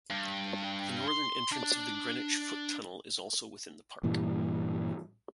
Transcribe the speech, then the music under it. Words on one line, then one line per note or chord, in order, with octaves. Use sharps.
The northern entrance of the Greenwich foot tunnel is also within the park.
G2
C6
D4
G2 A#2 E3 G3